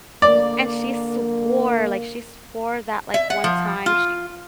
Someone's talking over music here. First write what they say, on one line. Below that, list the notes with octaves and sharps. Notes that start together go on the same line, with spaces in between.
And she swore, like, she swore that, like, one time she
D3 A#3 D5
E5
F#5
F3
F4